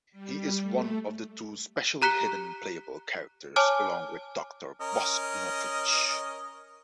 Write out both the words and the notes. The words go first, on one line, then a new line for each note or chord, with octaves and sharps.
He is one of the two special hidden playable characters, along with Doctor Boskonovitch.
G3
A3
G4 A#5 F#6 B6 C#7 G7
C#5 G#5 A5 D6 F6
C#4 A#4 D#5